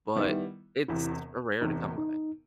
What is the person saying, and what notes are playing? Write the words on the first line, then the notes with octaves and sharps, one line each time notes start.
but it's rare to come by.
D#3 G3 B3 D#4 E4
E1 E2 C3 E4
E1 E2 C3 D#4
D#4